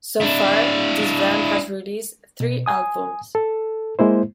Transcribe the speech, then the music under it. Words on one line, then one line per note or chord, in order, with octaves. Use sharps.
So far, this band has released three albums.
D4 E4
B2
G#5 D#6
A4
G#3 A#3 E4 C5